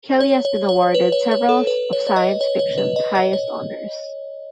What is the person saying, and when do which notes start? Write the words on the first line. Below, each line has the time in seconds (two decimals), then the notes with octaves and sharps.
Kelly has been awarded several of science fiction's highest honors.
0.21 C#5
0.45 C#5
0.69 C#5
0.94 B4
1.12 C#5
1.31 C#5
1.49 A4
1.67 B4
1.93 C#5
2.07 C#5
2.16 D#5
2.41 C#5
2.59 C#5
2.78 B4
2.96 D#5
3.15 D#5
3.33 C#5